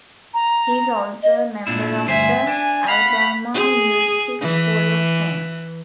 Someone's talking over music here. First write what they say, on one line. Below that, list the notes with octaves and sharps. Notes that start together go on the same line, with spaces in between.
He is also a member of the Alabama Music Hall of Fame.
A#5
D#5
A#2 D4 E4
D2 G2 C5 E5 G#5
D4 G#5
F5 F#5 B5
G#4
E3